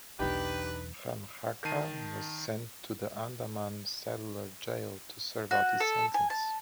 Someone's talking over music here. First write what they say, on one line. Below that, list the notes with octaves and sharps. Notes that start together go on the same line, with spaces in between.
Ram Rakha was sent to the Andaman Cellular Jail to serve out his sentence.
B1 E2 D4 D#4 G4 B4
D#3 A5 C7 D#7
F#4
A4
G#5
A5